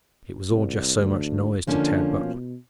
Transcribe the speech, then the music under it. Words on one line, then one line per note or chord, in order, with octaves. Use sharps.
It was all just so much noise to Tad Butler.
C2
D2
D3 F3 A#3 C#4
B2